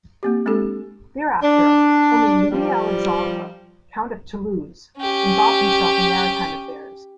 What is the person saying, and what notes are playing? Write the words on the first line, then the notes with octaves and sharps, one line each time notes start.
Thereafter, only Louis Alexandre, Count of Toulouse involved himself in maritime affairs.
A#3 C4 G4
G#3 C4 D4 G4 A4
D4
F3 G3
C#4 G4